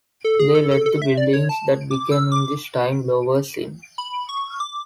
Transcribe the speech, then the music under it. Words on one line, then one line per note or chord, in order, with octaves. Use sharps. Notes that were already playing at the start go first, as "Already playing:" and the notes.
They let the building that became in this time "Blowers Inn".
A4
G#4
A4
A4
A4
E5
D5
C#5
A5
D6
E6
D6
B5
C#6
D6